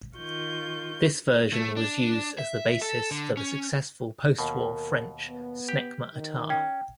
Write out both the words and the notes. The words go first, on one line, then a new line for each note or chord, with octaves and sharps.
This version was used as the basis for the successful post-war French Snecma Atar.
D#3 F4 C#6 G6
A3
D4
E5
A4
D3
C#4
D#2 B2 A#4
B3
G4
D#3
C#4 G5